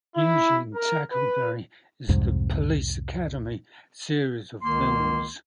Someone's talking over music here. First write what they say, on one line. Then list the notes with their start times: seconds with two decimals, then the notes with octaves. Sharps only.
Eugene Tackleberry in the "Police Academy" series of films.
0.16 E4
0.75 A#4
1.11 B4
2.09 C2 F2 G#2 C3
4.62 C#2 D#3 A#3 C6